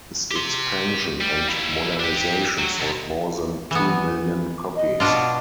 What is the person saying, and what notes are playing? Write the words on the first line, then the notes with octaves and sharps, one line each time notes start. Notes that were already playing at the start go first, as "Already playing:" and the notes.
His expansion and modernization sold more than two million copies.
G4 C6
G3
A#3 E4
D4 G4
F#3
B2
E3 B3
D#5
B2 D4 F4